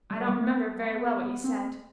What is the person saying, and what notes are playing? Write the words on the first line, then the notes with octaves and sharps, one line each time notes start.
I don't remember very well what you said.
G3
B3
A3
B3
C4